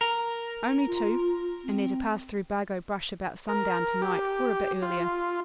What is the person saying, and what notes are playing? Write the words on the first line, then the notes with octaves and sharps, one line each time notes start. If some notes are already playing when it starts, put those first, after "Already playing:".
'Only two; and they're to pass through Bargo Brush about sundown to-night, or a bit earlier.
A#4
F4
C4
A#4
G4
F4